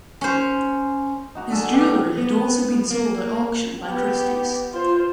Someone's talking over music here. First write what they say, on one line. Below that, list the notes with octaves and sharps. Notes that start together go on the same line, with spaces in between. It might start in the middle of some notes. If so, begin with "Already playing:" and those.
His jewelry has also been sold at auction by Christie's.
C#4 C5
D#4 F#4 A#5
D3 A4 G#5
B2 G4 A#5
B3
A#3
B3 G4
F4 C5